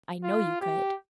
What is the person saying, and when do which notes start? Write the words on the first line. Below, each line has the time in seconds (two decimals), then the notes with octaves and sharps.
"I know you could."
0.23 F4
0.61 G4